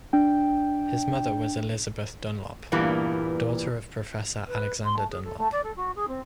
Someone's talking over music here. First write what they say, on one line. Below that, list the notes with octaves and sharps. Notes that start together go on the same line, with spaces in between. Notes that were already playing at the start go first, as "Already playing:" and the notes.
His mother was Elizabeth Dunlop, daughter of Professor Alexander Dunlop.
D4 G5
G2 A#2 E3 G3 A#3 B3
B4
C6
A3
G#4
A4
A3
D5
A4
F#4
G#4
C4